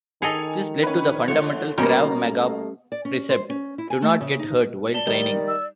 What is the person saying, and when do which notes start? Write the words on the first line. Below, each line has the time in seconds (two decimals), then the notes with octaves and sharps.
This led to the fundamental Krav Maga precept, 'do not get hurt' while training.
0.22 D#3 G#4 A4 D#5 G#5 C#7 F7
0.83 C#4 B4
1.28 F2 D3 A3 C#5
1.78 B2 G3 A#3 C#4 G4 A#5
2.21 A3
2.92 D5
3.05 C#4
3.29 C5
3.50 C#4
3.78 E4
3.90 G#5
4.02 A3
4.21 C#3
4.39 D#4
4.94 D5 A5 E7 G7
5.07 D#3 G3 D#4
5.48 E6